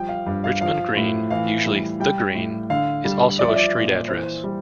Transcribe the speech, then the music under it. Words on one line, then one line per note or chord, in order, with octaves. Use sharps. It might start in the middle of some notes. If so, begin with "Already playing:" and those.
Richmond Green, usually "The Green", is also a street address.
Already playing: F3 G3 G5
F5
G2
F5
F3 F5
A2
E3 F5
G3
G3 G5
A2
D3 F5
G3
F3 D5
E5
D5
A#2
E3 C5
G3